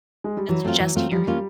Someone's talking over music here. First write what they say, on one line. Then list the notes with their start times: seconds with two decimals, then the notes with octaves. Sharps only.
That's just here.
0.24 G#3
0.37 G3
0.49 E3 F#3
0.64 A3 C4 F4
0.80 E3
0.96 A3 C4 F4
1.11 F3 G3
1.27 A#3 C#4 F4